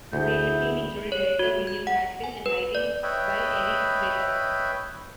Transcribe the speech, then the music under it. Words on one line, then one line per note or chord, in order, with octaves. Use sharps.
The creative team included: director William Gaskill and lighting by Eric Baker.
D2 E4 G#4 G6
C#5
F#4
G#6
F#5
G#5
B4
D5
B4 C#5 D#5 E5 G5 B5